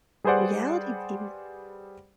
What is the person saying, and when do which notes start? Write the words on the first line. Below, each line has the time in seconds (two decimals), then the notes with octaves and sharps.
Reality TV.
0.24 G3 G#4 B4 C5 D5 F#5